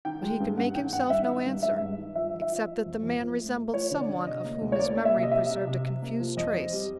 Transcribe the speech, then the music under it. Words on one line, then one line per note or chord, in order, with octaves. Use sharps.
But he could make himself no answer, except that the man resembled some one of whom his memory preserved a confused trace.
D#3 G5
G#3
G2
G2 F#5
D#3 G5
G2 F#5
G2 E5
D#3
G2
G#3 E5
G2
D#3
F3 E5
F3
E5
F3
F3
F2
F2
F3
A3
A3
F3 C#5
D3
D5
D3
C3 D#5
A#3
D2
C#5
A#3 D5
A#3
E5
C3
D#5
C3 E5
C3
C3
C3
A#3
F3
F2 D#5
C4
G3